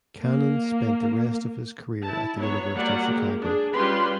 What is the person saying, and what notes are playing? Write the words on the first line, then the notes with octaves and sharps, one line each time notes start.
Cannon spent the rest of his career at the University of Chicago.
A#3
E4 A5
F#3 B3 C#5
F#3 G3 A#3 D5 F#5
G#3 A#3 G4
D4 G#4
G3 C#4 F4 G4 B4 C6